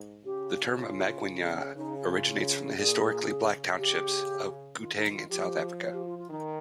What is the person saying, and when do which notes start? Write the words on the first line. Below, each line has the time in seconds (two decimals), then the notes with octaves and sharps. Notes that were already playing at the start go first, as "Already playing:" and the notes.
The term "amagwinya" originates from the historically Black townships of Gauteng in South Africa.
Already playing: G#2
0.25 C#3 G4
0.75 F4
1.76 C#3 D#4
2.01 F4
2.77 A#2 G#4
3.28 C#3
3.78 G4
4.79 D#3 F4
4.96 D#4
5.13 F4
5.30 F3 G4
5.80 C#5
5.93 G4
6.06 F4
6.18 F4
6.30 D#3 D#4